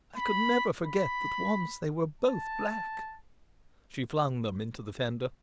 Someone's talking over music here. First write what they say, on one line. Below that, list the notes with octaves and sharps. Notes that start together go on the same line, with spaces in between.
"I could never forget that once they were both black." She flung them into the fender.
B5
B5
A5